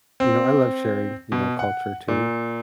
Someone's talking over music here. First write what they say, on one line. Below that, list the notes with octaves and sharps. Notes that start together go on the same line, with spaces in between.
you know, I love sharing, you know, culture too.
C4
B2
F#5
A#2